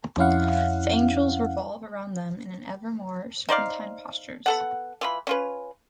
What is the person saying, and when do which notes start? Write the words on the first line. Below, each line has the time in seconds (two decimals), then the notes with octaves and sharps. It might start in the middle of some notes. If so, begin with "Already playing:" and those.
The angels revolve around them in ever-more serpentine postures.
0.17 F2 C#4 E4 F5 F#5
3.49 D#4 C5 D5 F5
4.46 B3 A4 F#5
5.01 E3 F4 B5
5.27 C#4 F4 B4